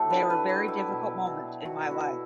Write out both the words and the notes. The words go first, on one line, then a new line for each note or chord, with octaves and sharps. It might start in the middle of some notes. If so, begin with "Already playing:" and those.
They were very difficult moments in my life.
Already playing: A2 F#3 G4 A4
D4 B4
B4
F#3 G4
E4
B2
B2
B2 F#4
E4
F#4
B2